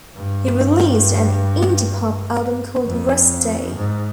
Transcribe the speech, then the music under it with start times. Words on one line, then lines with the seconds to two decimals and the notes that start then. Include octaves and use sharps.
He released an Indipop album called 'Rest Day'.
0.15 G2
2.86 F2
3.75 G#2